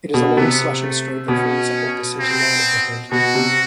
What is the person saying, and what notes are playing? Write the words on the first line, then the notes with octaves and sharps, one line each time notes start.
It is a long slashing stroke that falls on the centre-line of the head.
B2
C3 B3
A3
B2 C#4
C4
B2 F#4
C3